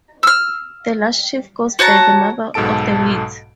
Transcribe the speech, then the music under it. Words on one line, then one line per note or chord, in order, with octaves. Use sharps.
The last sheaf goes by the Mother of the Wheat.
E6 F6
F#4 C#5 A5 A#5
B1 G#2 B2 A4 A5 D7